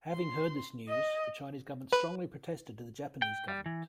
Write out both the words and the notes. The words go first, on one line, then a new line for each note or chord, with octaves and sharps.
Having heard this news the Chinese government strongly protested to the Japanese government.
C6
D#5
B4
G5
G3
E3